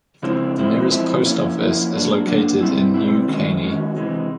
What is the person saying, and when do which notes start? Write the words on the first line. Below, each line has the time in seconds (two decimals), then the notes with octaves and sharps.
The nearest post office is located in New Caney.
0.23 C#3 F3 G#3 C4 E4
0.58 F3 G#3 C4 E4
0.91 F3 G#3 C4 E4
1.25 F3 A#3 C#4 E4
1.59 F3 A#3 C#4 E4
1.93 F#3 A#3 D4
2.27 F#3 A#3 D4
2.61 B2 G3 C4 E4
2.94 B2 G3 C4 E4
3.28 D#3 G#3 C#4 F#4
3.63 D#3 G#3 C#4 F#4
3.96 C3 E3 G#3